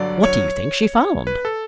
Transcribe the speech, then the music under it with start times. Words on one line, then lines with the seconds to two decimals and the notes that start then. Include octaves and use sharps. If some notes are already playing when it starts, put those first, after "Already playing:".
"What do you think she found?"
Already playing: G2 D3 F#3 D5
0.23 C#5
1.27 B4
1.45 A4